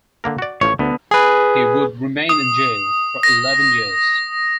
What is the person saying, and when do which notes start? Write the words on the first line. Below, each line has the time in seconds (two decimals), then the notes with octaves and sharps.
He would remain in jail for eleven years.
0.24 D3 A#3 A#4
0.38 F#4 D5
0.61 A1 F3 C#5
0.79 D2 D3 B3
1.11 G#4 B4
2.29 D#6
3.23 A#6